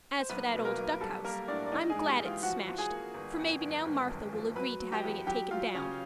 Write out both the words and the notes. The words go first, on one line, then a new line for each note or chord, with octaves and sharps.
As for that old duckhouse, I'm glad it's smashed, for maybe now Martha will agree to having it taken down.
C5
B1 B3 B4
B2
A#3 A#4
B1
G3 A4
G3 A#3 A#4
A2 D4 D5
D5
A#1 D#4 D#5
G#4 G#5
G#2
G4 G5
E3
F4 F5
F3 F#4 F#5
F3
G#4 G#5
A#3
G1
F2
G1
G#1
F#2
F3
F#3 B4 B5
F#3
G4 G5
E2
F#3 G4 G5
F#3 F4 F5
C#3 C#4 C#5